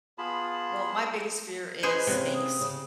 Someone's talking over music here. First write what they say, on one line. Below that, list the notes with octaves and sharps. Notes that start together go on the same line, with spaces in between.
well, my biggest fear is snakes.
B3 F4 G#4 A5 B5
G#4 B4 C5 D#5 G#5
C3 A#3 C4 C#4
D#6
C#3